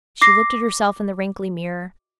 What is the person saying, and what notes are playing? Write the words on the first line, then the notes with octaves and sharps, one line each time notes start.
She looked at herself in the wrinkly mirror.
D6 A#6 C7